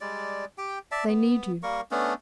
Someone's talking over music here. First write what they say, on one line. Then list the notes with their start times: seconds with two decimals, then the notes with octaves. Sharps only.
They need you.
0.01 G3 G#3 D5
0.58 G4 G5
0.91 D5 E5 A5
1.08 B3
1.63 G3 A#3 A#4 C#6
1.91 A3 B3 C#4 D4